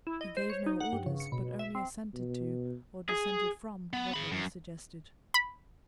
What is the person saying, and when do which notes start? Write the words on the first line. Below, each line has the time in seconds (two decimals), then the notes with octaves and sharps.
He gave no orders, but only assented to or dissented from what others suggested.
0.07 E4
0.21 D#5
0.37 C5
0.50 C#5
0.66 D#4
0.80 F#5
0.93 G2
1.06 C#3
1.20 C#7
1.32 B2
1.59 E5
1.75 C4
2.14 B2
3.09 G#4
3.94 B3
4.14 G#4 B5
4.32 F#2
5.34 B5